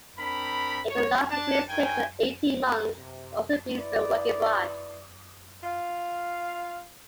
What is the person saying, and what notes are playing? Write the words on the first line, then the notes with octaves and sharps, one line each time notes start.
It can last between six and eighteen months and also be spent working abroad.
C4 D4 A#4 B5
C#5
D4 A5
G2 D#3 G5 G#5
C3
E4 B4 D5
F4 F5